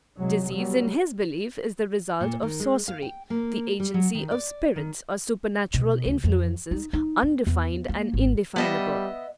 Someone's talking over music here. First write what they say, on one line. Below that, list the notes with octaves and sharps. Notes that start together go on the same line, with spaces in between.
Disease, in his belief, is the result of sorcery, the agency of spirits or supernatural influences, undefined and indefinable.
C3 F#3 G#3
F#3 G3
A#2
D#3
G#3
F5
G5
A#3
G3
F#3
D#3
D5
D#3
B2
D2
F2
D#4
D#4
C4
E2
A#3
G#1
G3 B3 D#5 E5